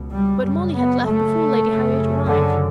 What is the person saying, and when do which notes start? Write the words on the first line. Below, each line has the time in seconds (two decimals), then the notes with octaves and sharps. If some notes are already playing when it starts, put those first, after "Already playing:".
But Molly had left before Lady Harriet arrived.
Already playing: C#2 B2
0.12 G3
0.43 F#2 C#3 G3
0.73 B3
1.04 A3
1.65 F#2 C#3
2.27 D3